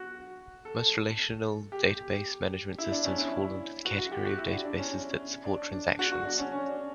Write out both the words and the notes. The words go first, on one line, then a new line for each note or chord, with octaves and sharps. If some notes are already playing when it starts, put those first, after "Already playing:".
Most relational database management systems fall into the category of databases that support transactions.
Already playing: F#4
A4
G4
E4
D4
C#4
E4
F#4
F#4
G4
F#4
E4
D4
D4
C#4
D4
D4
F#4
F#4
D4
C#4
C#4
D4